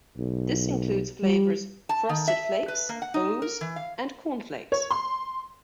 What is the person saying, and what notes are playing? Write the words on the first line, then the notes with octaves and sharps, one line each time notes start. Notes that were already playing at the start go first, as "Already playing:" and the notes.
This includes flavors Frosted Flakes, O's, and Corn Flakes.
B1
G3
A5
D#3
E5
B4
A#3
F#5
D#4
A#4
E3
F5
C#5
C6